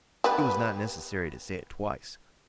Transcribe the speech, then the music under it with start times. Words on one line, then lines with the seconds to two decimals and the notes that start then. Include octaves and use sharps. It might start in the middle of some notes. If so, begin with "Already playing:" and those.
It was not necessary to say it twice.
0.24 G3 B3 B4